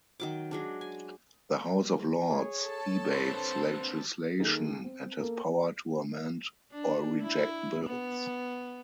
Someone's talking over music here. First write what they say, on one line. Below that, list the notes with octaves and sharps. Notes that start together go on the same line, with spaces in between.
The House of Lords debates legislation, and has power to amend or reject bills.
D#3 F#3 D6
F#3 G#3 D4
G#5
G#4 C#5
A4 A5
C4 D4 B4 C5
D#3 A#3 D#4 G#4 A4
C4
A#3 A4 A#4
D4
E4
B3